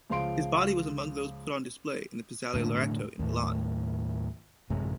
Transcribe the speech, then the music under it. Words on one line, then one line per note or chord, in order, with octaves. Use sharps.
His body was among those put on display in Piazzale Loreto in Milan.
C#2 F3 F5 C6 D7
E1 A2 D3
D#2 A2
A1 F#2 C3 G#3